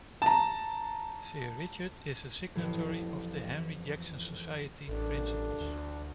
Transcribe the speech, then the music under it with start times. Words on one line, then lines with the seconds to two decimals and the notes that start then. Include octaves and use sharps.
Sir Richard is a signatory of the Henry Jackson Society principles.
0.22 A5 A#5
2.55 A1 F2 E3 F3
4.88 A1 G2 A#2 D4 A4
5.61 D2